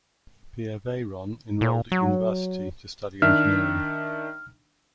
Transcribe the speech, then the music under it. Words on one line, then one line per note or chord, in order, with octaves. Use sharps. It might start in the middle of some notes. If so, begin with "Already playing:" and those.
Pierre Veyron enrolled at university to study engineering.
A#2
F#3
D#3 D4 E5 F6